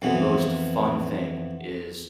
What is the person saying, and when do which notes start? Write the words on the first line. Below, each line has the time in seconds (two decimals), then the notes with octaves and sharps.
the most fun thing is
0.02 F2 E3 B3